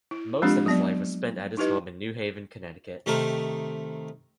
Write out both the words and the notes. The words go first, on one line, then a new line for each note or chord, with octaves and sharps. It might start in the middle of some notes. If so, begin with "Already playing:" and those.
Most of his life was spent at his home in New Haven, Connecticut.
E4
F3 G#3 C4 D4 F4 G4
F#3 B3 D5
D#4 E4 G4 B4 D#5
C3 D#3 A3 A#4